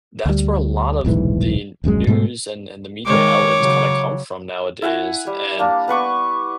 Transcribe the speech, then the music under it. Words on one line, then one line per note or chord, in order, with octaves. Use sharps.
that's where a lot of the news and and the media outlets kinda come from nowadays, and
D2 G3
D#1 B1 G#2 E3
D#1 A#1 F#2 G#3
G#2 B2 G#3 A3
D#3 G#3 C#5 D6
C#3 F#3
E4 F#5 G#5
G3
A#3 D4
B3 B4 C#6 D6